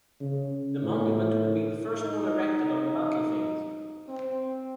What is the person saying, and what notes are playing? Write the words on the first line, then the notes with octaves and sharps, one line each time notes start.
The monument would be the first one erected on the battlefield.
C#3
A2
D#4
C4